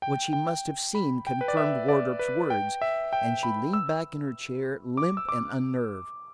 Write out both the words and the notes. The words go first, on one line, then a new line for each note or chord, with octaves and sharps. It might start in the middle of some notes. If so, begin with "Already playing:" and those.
What she must have seen confirmed Wardrop's words, and she leaned back in her chair, limp and unnerved.
G5
G5
B5
G5
B4
D5
E5
D5
B4
G5
E5
G5
B5
E6
D6
E6
D6